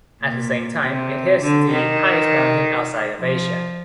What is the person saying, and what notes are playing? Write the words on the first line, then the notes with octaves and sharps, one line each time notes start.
At the same time, it is the highest mountain outside of Asia.
A#2
C3
D3
D#3
F3